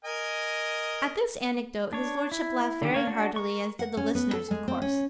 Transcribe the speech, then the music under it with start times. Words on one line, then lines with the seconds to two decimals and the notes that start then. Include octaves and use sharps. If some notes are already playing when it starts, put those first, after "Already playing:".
At this anecdote his Lordship laughed very heartily, as did the listeners, of course.
0.05 A#4 D#5 G#5
1.93 D4 C#5
2.32 E4
2.82 D3 D#3 G4
2.94 A#3 C#5
3.07 D4 F#4
3.36 A#4 C#6
3.79 F#5
3.97 C#4
4.15 B3
4.33 A4
4.51 G#3
4.68 C4
4.82 C#4